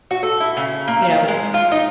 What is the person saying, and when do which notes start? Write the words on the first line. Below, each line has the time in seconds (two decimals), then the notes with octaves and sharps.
you know,
0.11 F#4
0.23 A4
0.40 E4
0.57 C#3
0.88 A#3
1.02 F5
1.28 G#3
1.54 F4
1.72 D#4